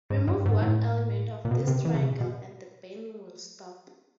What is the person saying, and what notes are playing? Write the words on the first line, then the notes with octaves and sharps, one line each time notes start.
Remove one element of this triangle and the burning will stop.
G#2
G2
G#2
A2
A#2
B2
C#3
C3
E3
C#3
C3
A#2
B2